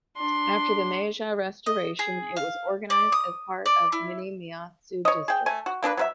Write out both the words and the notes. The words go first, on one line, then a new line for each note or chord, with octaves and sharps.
After the Meiji Restoration, it was organized as part of Minamiaizu District.
D4 C6
D#5
G#4
F5
D5
D#6
D5
E4
C#5 D#5
G#4 G5
A3 G#5
F#4
A#3 D4 G#4 B4
F#3 B4 E5